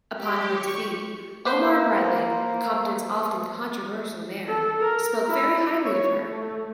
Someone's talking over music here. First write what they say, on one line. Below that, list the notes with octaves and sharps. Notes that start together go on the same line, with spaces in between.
Upon her defeat, Omar Bradley, Compton's often controversial mayor, spoke very highly of her.
G4
C#6
A#3 B4 C5
A4
A#4
E4
C#5
A3